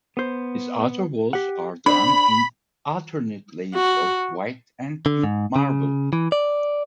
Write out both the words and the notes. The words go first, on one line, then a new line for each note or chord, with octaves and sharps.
Its outer walls are done in alternate layers of white and pink marble.
B3 C5
G4 F#5
D4 C5 B5
F#4
D3
G#2
C#3
E3
D5